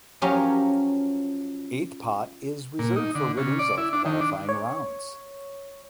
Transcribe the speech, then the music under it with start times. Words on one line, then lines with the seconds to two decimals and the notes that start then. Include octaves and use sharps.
Eighth pot is reserved for winners of qualifying rounds.
0.22 F3 F#3 C#4 G4 A#4
2.79 A#2
2.96 D#4
3.15 D3
3.37 C#3
3.59 D5
3.78 E4
3.93 D4
4.05 D#3
4.21 D4
4.49 C#5